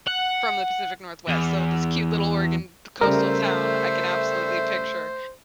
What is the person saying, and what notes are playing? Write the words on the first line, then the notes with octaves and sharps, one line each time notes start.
from the Pacific Northwest. So this cute little Oregon coastal town, I can absolutely picture
F#5
E2
C#3 G3 A3 A#4 C5 E5